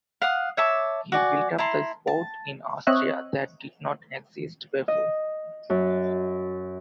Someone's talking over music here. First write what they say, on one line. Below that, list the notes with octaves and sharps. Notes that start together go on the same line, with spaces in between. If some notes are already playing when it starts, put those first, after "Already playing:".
He built up the sport in Austria that did not exist before.
F5 F#5 D#6
C#5 E5 A5 D6
F#4 D5 G#5
E4 A5 A#5 C6
A5
C4 C#5 D#5 E5 F#6
D#5
F#2